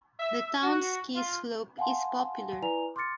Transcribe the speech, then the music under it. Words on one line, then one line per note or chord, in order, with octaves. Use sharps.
The town's ski slope is popular.
E5
F#4
F4
F5 F#5 G#5 A5 C6
E4 B4 D5 G#5 A#5 F7
C6 D6 F6 A6 C#7